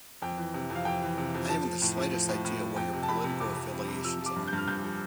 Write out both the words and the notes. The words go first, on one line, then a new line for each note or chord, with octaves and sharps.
I haven't the slightest idea what your political affiliations are.
F2 G5
E3
C3
F2
F5
F2 G5
E3
C3
F2
F3 A5
F3
A2
F3
F3
A2
A2
F3
F2 G5
C3
A5
F2 B5
C3
F2 D6
F2
F2
C3
F3 E6
F3
D6
G2
G6
G2 F6
G2 G6
F3